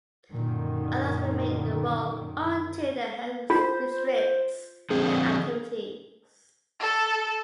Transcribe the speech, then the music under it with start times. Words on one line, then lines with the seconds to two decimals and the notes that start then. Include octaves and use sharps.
Others remain in the role until their health restricts their activities.
0.32 F#2 A#2 D3 D#3
3.50 F4 C5
4.90 D3 F3 C4 G#4
6.80 A4